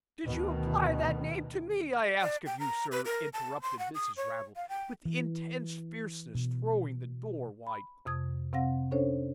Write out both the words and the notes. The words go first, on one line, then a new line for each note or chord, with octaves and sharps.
'Did you apply that name to me, I ask of you, sir?' interrupted Mrs. Raddle, with intense fierceness, throwing the door wide open.
D2 B2 D#3
D5
G5
A#5
B4
A#4
A5
C6
F#5
D#6
C#5
F5
G5
E3
B2
B5
F2 C3 D#6 G#6
C3 C4 F5 F#5 A#6
C#4 D4 A4 C5 C#5